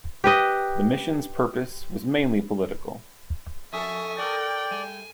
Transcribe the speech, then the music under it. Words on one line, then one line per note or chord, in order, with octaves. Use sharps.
The mission's purpose was mainly political.
G4 B4 D#5
F2 A4 E5 G#5 C#6 D#6
A4 A#4 D5 G5
G3 G#5